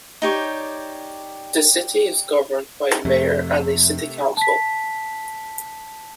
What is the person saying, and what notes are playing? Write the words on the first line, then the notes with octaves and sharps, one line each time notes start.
The city is governed by a mayor and a city council.
D#4 G4 C#5 D5
F2 C3 A3
A5 B6